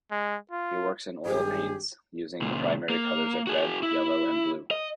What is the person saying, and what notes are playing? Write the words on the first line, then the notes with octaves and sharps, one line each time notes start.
He works in oil paints, using the primary colors of red, yellow, and blue.
G#3
F4
G#1 G2 G4 G#4
C#2 A#2
A#3
F#4 G#4
E4
D#5